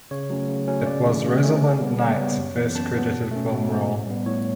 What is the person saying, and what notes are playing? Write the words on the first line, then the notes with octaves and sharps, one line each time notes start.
It was Rosalind Knight's first credited film role.
C#3 C#5
F#3 A3 C#4
C#3
F#3 A3 C#4
C#3 D5
E3 A3 C#4
C#3
E3 A3 C#4
C#3
G3 B3
C#3 C#5
G3 B3
F#2
E3 B3
F#2 A5
E3 B3
B2
A3 C#4
B2
A3 C#4
A2
G3 B3
A2 C#5